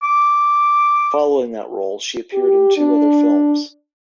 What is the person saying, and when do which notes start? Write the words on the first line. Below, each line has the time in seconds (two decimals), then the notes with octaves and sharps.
Following that role, she appeared in two other films.
0.03 D6
2.33 G4
2.76 D4